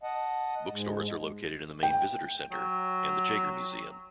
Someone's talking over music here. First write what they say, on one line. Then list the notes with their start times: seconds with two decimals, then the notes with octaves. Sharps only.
Bookstores are located in the main visitor center and the Jaggar Museum.
0.03 D#5 F#5 A5
0.72 G#2 G#3
1.83 G5
2.52 F#3